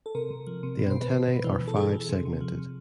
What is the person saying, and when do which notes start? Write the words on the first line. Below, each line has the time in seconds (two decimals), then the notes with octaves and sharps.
The antennae are five segmented.
0.06 A4
0.15 C3 A#4
0.30 C3
0.47 F3
0.63 C3
0.79 B2
0.90 C5
0.96 B2
1.01 B4
1.12 B2
1.28 B2
1.44 E3
1.60 E3
1.68 A4
1.76 E3 G#4
1.93 E3
2.09 C3
2.25 C3
2.41 F3
2.58 C3